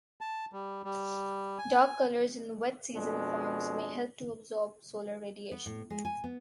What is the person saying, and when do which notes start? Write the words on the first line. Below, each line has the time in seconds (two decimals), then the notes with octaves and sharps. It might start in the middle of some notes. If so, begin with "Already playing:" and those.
Dark colours in wet-season forms may help to absorb solar radiation.
0.21 A5
0.53 G3
0.84 G3
1.58 G#5
2.95 F2 B2 G#3 D4
5.51 B3
5.66 A2
5.90 G#3
6.05 G#5
6.24 B3